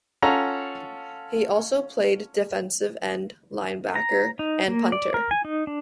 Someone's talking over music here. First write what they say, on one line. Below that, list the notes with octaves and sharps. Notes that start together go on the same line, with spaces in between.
He also played defensive end, linebacker, and punter.
C#4 F4 A4 F#5 A#5
A#5
D#4
A#3
D5
A#4
G#5
D#4
D4